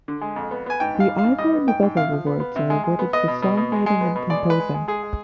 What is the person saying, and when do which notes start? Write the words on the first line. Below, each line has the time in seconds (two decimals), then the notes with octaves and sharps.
The Ivor Novello Awards are awarded for songwriting and composing.
0.08 D3
0.21 G#3
0.36 F2
0.51 B3
0.66 B3 G#5
0.80 G#2 G5
0.94 G#2
1.00 F5
1.09 G3
1.19 F5
1.24 G#2
1.38 G3 D#5
1.54 B3
1.68 G#2 G5
1.83 G#2
1.97 C3 F5
2.12 F3
2.27 B3
2.40 B3
2.56 C3
2.70 G#3
2.84 G#3
2.99 B3
3.13 B3 D#5
3.28 B2
3.42 B2
3.57 B2
3.72 G#3
3.86 G#3
4.01 B3
4.16 B2
4.30 G#3 D5
4.44 G#3
4.50 B4
4.60 G#3
4.74 G#3
4.88 G#3 G#4
5.03 G#3